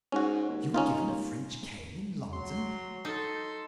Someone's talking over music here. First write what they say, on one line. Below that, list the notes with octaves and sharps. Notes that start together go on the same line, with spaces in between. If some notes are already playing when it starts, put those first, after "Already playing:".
"You were given a French cane in London!"
G#2 C#4 F#4
D#2
C#4 D#4 F4
F#3 C6
D#4 A4